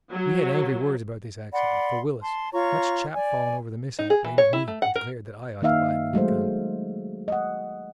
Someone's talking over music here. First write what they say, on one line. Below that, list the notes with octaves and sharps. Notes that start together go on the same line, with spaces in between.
We had angry words about this accident, for Willis, much chapfallen over the mishap, blamed me, and declared that I ought to buy him a new gun.
F#3
D5 F#5 B5 C6
A5 C6
F4 C#5 A#5 C#6
D5 G#5
D#4
G#4
E3
C#5
E4
A3
F#5
A#4
D#3 A#3 D#4 E5 F5
F#3 G#3 A3 C5
D#5 F#5